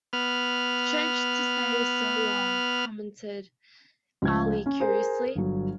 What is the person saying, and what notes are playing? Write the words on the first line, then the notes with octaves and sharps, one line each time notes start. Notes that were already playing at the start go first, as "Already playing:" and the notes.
"Strange to stay so long," commented Ali curiously.
B3 F6
C#2 F3 G#6
C#4
G#4 A#4 C5
G1 F#3